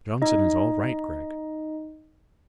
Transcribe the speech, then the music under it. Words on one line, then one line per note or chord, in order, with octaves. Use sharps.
"Johnson is all right, Gregg."
D#4 D#5